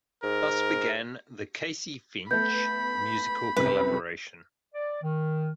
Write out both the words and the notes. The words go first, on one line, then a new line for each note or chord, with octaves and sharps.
Thus began the Casey-Finch musical collaboration.
G#2 A#4
A3 B3 B5 G6
C2 F#2 C3 B4
D5
D#3